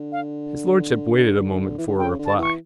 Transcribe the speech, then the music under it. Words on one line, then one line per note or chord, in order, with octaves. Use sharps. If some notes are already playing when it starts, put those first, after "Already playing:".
His lordship waited a moment for a reply.
Already playing: D3
F5
E3
D3
C#3 G5
D3
A5
E3 C#6